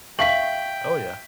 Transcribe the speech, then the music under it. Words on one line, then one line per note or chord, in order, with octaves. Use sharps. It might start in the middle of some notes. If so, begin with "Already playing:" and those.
Oh, yeah.
E5 F5 G5 C#6 B6 F#7